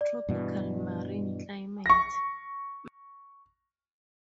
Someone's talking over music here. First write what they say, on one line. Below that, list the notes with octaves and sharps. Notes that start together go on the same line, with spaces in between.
Tropical marine climate.
D5
G2 B2 E3
C#6 A#6